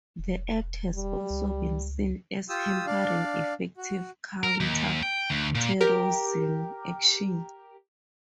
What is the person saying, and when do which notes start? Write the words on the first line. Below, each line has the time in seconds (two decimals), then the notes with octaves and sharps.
The Act has also been seen as hampering effective counter-terrorism action.
0.19 E1
0.96 G3
1.30 C#2
2.49 F4 G4 D#6 E6
2.86 D4 D5 F5
3.78 F#4
4.43 A#4
4.60 D#2
5.03 G5
5.30 D2
5.55 A#2
5.81 G4 A#4